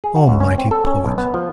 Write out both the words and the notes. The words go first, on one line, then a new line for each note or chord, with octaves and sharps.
O, mighty poet!
G#4
F#4
C#2
C#4
C4
A4
C#4
B1
B3
F3